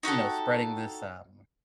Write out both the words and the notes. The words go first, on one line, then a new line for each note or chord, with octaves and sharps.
You know, spreading this, um
D#4 F#4 G4 A4